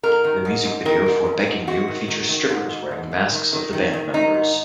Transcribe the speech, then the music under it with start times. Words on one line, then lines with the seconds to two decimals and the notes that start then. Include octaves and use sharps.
The music video for "Begging You" features strippers wearing masks of the band members.
0.03 G#2 A#4
0.24 D#3
0.45 G#2
0.65 G#2
0.85 D#3 A#4
1.06 G#2
1.26 G#2
1.47 G#2
1.67 G#2 F#4
1.88 D#3
2.08 D#3
2.29 D#3
2.50 G#2
2.70 G#2
2.91 G#2
3.11 D#3
3.32 D#3
3.53 D#3
3.73 D#3
3.93 D#3
4.14 D#3 D#4
4.34 G#2